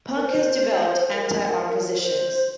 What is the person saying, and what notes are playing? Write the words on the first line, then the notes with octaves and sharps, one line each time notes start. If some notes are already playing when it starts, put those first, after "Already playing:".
Punk has developed anti-art positions.
A#4
C5
A#4
C5